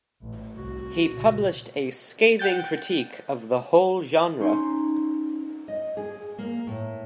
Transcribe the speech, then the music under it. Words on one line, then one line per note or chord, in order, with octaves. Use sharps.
He published a scathing critique of the whole genre.
A1
C2 F#4
A#2 C#3
F#5 G5 G6 A6
C#4 D#4 C6
D#5
G#4
A#3
A2